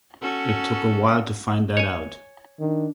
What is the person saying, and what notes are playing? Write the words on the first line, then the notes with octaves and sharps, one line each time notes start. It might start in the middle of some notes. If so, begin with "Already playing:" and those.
It took a while to find that out.
C#4 F#4 A4
C#5 G#5
D#3 D4